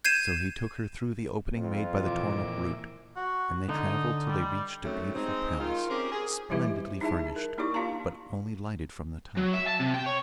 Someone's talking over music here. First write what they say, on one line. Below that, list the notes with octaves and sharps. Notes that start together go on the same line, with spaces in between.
So he took her through the opening made by the torn-up root, and they travelled till they reached a beautiful palace, splendidly furnished, but only lighted from the top.
G6 G#6 C7 D#7 E7
F2 F4
A#2 E3 D6
F#4
D3 D#4
G3
F#2 D#3 F#3 G3 A3 C4
G#3 C4 D#4
D#3 F4
C4 C#4 G4 G#4 A#4
G#4
E3 G3 E4 G4 B4 E5
D#4 E4 G#4 E5 A5
A#4
A#3 D#4 E4 G4 D5 C#6
D4 F4 F5 A5 A#5
F#3
E5
A5
C3
G5
C#5